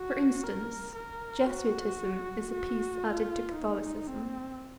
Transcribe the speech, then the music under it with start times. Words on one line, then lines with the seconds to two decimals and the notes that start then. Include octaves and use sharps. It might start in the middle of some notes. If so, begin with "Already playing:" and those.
For instance, Jesuitism is a piece added to Catholicism.
Already playing: F#4
0.44 A#4
0.96 A#4
1.47 F#4
2.52 F#4
3.04 F4
3.55 D#4
4.07 C4